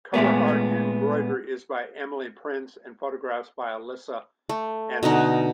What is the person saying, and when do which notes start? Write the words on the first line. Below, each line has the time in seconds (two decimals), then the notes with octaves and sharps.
Cover art embroidery is by Emily Prince and photographs are by Alissa Anderson.
0.14 A#2 G#3 A3 B3
4.49 A3
5.03 B2 D3 D#4 F#5